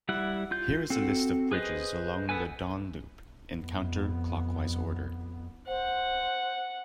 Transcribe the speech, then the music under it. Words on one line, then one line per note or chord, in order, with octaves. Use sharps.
Here is a list of bridges along the Don Loop in counter-clockwise order.
G3 E4 F#5
F4 G6
C4 F#4 A4
G#4 B4 C5 D#5
B3 A4 B4 G#5
F2 B3
C5 F#5